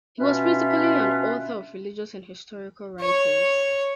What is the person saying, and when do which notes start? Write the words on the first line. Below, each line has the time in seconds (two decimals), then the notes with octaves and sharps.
He was principally an author of religious and historical writings.
0.19 B2 C#4 D4 F4 B4 E5
3.01 C#5